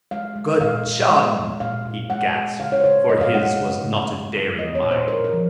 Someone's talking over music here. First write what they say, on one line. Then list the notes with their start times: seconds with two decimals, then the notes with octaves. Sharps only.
"Good Jon!" he gasped; for his was not a daring mind.
0.11 G#3 F5
0.36 G#3
0.61 A#2 F5
0.86 A#2
1.11 G#3
1.36 G#3
1.60 A#2 F5
1.85 A#2
2.10 G#3 F#5
2.35 G#3
2.60 C#3 F5
2.72 C#5
2.80 C5
2.84 C#3 C#5
3.09 G#3 D#5
3.21 F5
3.34 G#3 F#5
3.47 F5
3.59 C#3
3.84 C#3
4.09 G#3
4.34 G#3
4.58 A#3 D#5
4.75 C#5
4.83 A#2
4.91 C5
5.08 A#2 A#4
5.24 A#4
5.33 F3